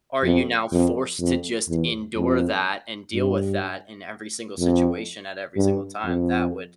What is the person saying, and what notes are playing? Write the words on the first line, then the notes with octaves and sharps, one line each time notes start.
are you now forced to just endure that and deal with that in every single situation at every single time? That would
F2
F2
F2
E2
F2
G2
F2
G2
F2